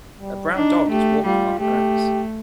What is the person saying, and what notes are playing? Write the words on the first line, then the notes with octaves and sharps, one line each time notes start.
A brown dog is walking on the grass.
G3
D4 D#4
A3 G4
G3 F4
A3 G4